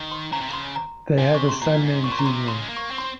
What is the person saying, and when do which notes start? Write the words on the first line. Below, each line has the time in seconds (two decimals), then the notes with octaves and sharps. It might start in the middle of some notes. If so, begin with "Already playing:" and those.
They have a son named Julian.
Already playing: D#3
0.12 C6
0.32 C#3 A#5
0.41 C3
0.48 C#3
0.53 C6
0.76 A#5
1.19 C3 G#5
1.35 C#6
1.49 C6
1.62 A#2 A#5
1.83 G#2
2.04 A#2 C#6
2.12 C6
2.19 A#5
2.26 C3 C6
2.47 C#3 C6
2.61 G#3
2.69 A#3
2.77 C#6
2.91 C4
2.98 C6